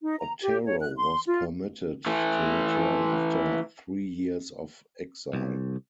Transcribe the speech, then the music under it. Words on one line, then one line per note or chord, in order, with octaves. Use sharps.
Otero was permitted to return after three years of exile.
D#4
A#5
G4
C#5
F#6
C6
F4
E3 A3
C2